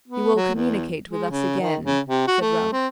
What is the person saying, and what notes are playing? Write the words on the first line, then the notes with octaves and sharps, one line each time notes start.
'You will communicate with us again?' said Ralph.
B3
F#3
E2
G#3
C#3
D#3
C#3
C3
F#4
A3
C4